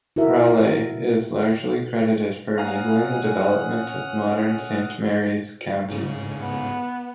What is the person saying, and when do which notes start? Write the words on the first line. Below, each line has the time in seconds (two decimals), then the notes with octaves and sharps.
Raley is largely credited for enabling the development of modern Saint Mary's County.
0.16 E4 F#4 A#4 E5
2.58 C#4 F5 F#5 G#5 A#5 D#6 F6
5.89 G#2 C#3
6.40 B3